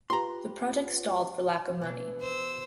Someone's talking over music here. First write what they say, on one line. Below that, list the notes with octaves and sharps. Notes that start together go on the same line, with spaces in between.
The project stalled for lack of money.
F4 G4 B4 A#5 C6
B2 E3 D4
C5 E6